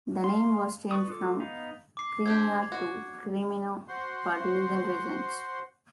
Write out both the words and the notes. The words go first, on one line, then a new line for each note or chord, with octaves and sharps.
The name was changed from Chimera to Camino for legal reasons.
F5 C6
B4 D5 C#6 D#6
F4 A4 D6
B3 D#4 F5
D6 C7
C4 D4 G4 G#6
F#4
F#4 C5 F#5 C6